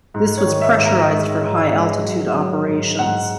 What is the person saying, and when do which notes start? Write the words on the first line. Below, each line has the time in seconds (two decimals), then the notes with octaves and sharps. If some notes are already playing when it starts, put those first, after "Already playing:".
This was pressurised for high-altitude operations.
0.14 G#2
0.38 C#5
0.46 D#3
0.61 E5
0.77 G#2
0.85 A#5
1.09 G#3
1.41 G#2
1.72 G#3
2.04 F#3
2.36 F#3
2.67 G#2
2.99 G#2 F#5